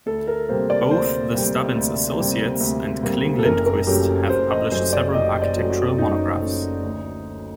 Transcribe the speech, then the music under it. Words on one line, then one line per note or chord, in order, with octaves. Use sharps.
Both The Stubbins Associates and Kling-Lindquist have published several architectural monographs.
D2 A4
A#4
C3 G3 A#3 C5
D5
D2 C5
C3 G3 A#3
D2
C3 G3 A#3
D2
C3 G3 A#3
A4
F#1 A#4
A#4
F#2 F#3 A3 G4
F#1 C5
D#5
F#2 F#3 A3 C5
D5
F#1 D#5
D5
F#2 F#3 A3
F#4
F#1 D#4
F#2 F#3 A3
D2